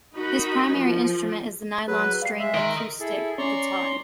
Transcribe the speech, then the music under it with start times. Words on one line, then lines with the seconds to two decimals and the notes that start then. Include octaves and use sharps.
His primary instrument is the nylon-string acoustic guitar.
0.15 D#4 F#4 A#4 D#5 B5
0.75 F3
1.88 F#3 G#4 B4
2.22 G3 F5 C7
2.39 G#3 E5
2.54 A#4 D#5 C6 D7
2.99 E4 G#4 A4
3.38 C#4 D5 A#5 C6 C#6